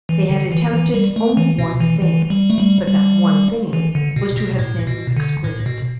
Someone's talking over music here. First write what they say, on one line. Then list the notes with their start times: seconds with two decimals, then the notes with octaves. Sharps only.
They had attempted only one thing, but that one thing was to have been exquisite.
0.09 E3
0.29 D3
0.52 E3
0.74 E3
0.94 G3
1.16 A3
1.37 E3
1.59 B2
1.80 E3
2.02 E3
2.30 G3
2.50 A3
2.58 G3
2.87 G3
3.73 E3
3.95 D3
4.16 B2
4.37 B2
4.59 A2
4.87 B2
5.17 D3
5.44 A2
5.66 B2